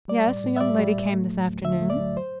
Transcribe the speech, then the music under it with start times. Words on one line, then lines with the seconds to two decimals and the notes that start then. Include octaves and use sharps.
"Yes; a young lady came this afternoon."
0.08 G3 D5
0.27 A2
0.44 A2
0.56 E5
0.61 G3 D5
0.79 G3
0.96 A2
1.13 A3
1.30 F#3
1.47 D2
1.64 D3 E5
1.81 A3
1.90 D5
1.99 F#3
2.17 C5